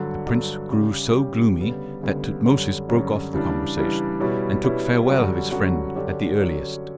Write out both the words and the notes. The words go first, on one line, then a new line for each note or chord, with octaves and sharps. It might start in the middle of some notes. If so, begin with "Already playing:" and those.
The prince grew so gloomy that Tutmosis broke off the conversation and took farewell of his friend at the earliest.
Already playing: G2 D3 F#3
G2 D3 F#3
C#3 G3 C#4 G4
C#3 G3 C#4 G4
D2 C#3 G3 B3
D2 C#3 G3 B3
F#2 D3 G3 C#4
F#2 D3 G3 C#4
C#3 E3 G3 D4
C#3 E3 G3 D4
B2 G3 C#4 E4
B2 G3 C#4 E4
F#2 D3 G3 C#4 F#4
F#2 D3 G3 C#4 F#4
D3 F#3 C#4 G4
D3 F#3 C#4 G4